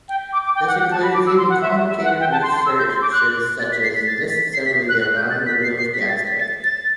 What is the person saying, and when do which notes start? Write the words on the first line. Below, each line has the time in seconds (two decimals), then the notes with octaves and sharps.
This includes even complicated searches such as the disassembly of an automobile's gas tank.
0.09 G5
0.33 D6
0.45 D6
0.55 G5
0.67 F#5
0.79 F#5
0.91 A5
1.02 B5
1.14 D6
1.27 E6
1.38 C6
1.50 F#5
1.62 E5
1.88 E5
2.04 F#5
2.20 G5
2.32 A5
2.43 C6
2.55 C6
2.66 E6
2.78 G6
2.89 C6
3.02 D6
3.12 F#6
3.59 A6
3.72 B6
3.84 C7
3.95 B6
4.07 A6
4.29 B6
4.53 C7
4.65 B6
4.89 F#6
5.00 F#6
5.16 G6
5.30 A6
5.46 B6
5.63 C7
5.78 C7
5.93 B6
6.08 A6
6.25 B6
6.40 A6
6.63 A6